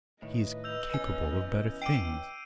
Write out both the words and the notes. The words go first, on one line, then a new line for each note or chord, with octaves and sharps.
He is capable of better things.
A2 D#3 B4 D#5
E6 G6 F7
E2 C#4 G#5
G5 D6 C7 D7 D#7